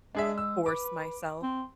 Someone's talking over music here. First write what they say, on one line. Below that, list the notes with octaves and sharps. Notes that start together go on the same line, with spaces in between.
force myself.
G#3 D4 G#4 E5
E6
B4 D6
C4